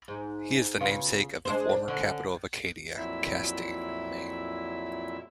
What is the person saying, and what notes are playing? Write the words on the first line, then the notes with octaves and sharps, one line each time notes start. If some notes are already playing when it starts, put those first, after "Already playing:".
He is the namesake of the former capital of Acadia, Castine, Maine.
G#2
C#3 B3 F4
G#3 D4 C5
D4
D3 C#4
F2 A#2 F#3 E4 E5 E6